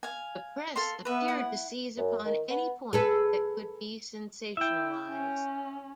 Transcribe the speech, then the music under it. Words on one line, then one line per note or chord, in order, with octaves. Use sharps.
The press appeared to seize upon any point that could be sensationalised.
F5 G#5
A4 F5 C6
B3 B4 E5
E4 F#5
F#2
D#3
B3
G#4 A4 B4
E4 E5 G5
C#4